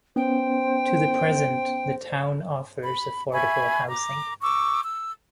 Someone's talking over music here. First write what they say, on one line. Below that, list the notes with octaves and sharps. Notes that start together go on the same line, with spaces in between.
To the present, the town offers affordable housing.
B3 C#4 C5 G5
B5
E5 G#5 B5 C#6
A#5 D6
C#6 D6 E6
E6